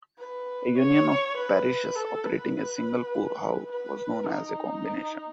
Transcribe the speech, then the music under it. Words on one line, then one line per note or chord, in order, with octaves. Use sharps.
A union of parishes operating a single poorhouse was known as a Combination.
B4
C#5
B4
A4
B4
B4
D#4